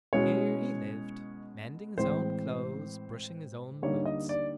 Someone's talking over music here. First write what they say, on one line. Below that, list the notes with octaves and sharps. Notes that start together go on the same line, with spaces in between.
Here he lived, mending his own clothes, brushing his own boots.
B2 G#3 C#4 E4 C#5
A2 E3 G#3 C4 C5
D3 G3 A#3 D#4 C#5
D#5
D5